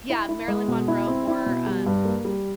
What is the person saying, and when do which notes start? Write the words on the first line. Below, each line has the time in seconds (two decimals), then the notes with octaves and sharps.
yeah, Marilyn Monroe more, um,
0.10 E4
0.29 E4
0.48 G#3
0.68 B2
0.88 E4
1.07 C4
1.28 E4
1.46 B2
1.67 G3
1.86 G2
2.05 A#3
2.25 G3